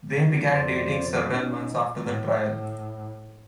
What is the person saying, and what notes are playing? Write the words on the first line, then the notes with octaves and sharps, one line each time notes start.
They began dating several months after the trial.
F2 C5 D5
C#4 D#4
A2